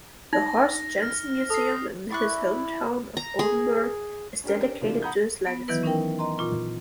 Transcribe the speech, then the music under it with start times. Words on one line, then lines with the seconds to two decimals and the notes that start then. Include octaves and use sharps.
The Horst Janssen Museum in his hometown of Oldenburg is dedicated to his legacy.
0.33 D#4 A#6
1.02 F6
1.50 A4 D#6 C7
2.11 E4 D5 B5 C#6 F#6
3.17 A#5
3.39 G#4
4.44 C#4 D4 G4 A#4
4.81 C3 E3 G#3 A#3 D4 F4
5.02 F#5 A#5 B5 D#6 G6 G#6
5.47 B3
5.68 D#3 E3 F#3 B3 E4 B4
5.83 C#4 D#4 A#4 G5
6.19 D#5 A#5 C6
6.38 A#2 F4 C#6